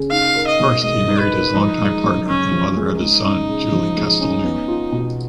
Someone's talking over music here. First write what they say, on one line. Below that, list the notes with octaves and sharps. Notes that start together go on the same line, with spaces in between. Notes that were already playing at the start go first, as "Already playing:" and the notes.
First, he married his long-time partner and mother of his son, Julie Castelnau.
Already playing: C#3
D#4 F5
A#4
D#5
B2
G#3 D#5
D#4
B4
A#4
F3 D#4
G#3
F#2
C#3 C#4
F3
G#3
G#3 D#4
C#4
C#3
F3
G#3
C#4
B3
F4
B2